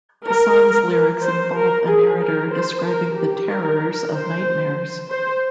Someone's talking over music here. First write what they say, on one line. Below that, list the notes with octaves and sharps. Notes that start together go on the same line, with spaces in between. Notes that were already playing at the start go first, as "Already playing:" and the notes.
The song's lyrics involve a narrator describing the terrors of nightmares.
A#4
C5
A#4
G#4
A#4
C5
A#4
G4
A#4
C5
C5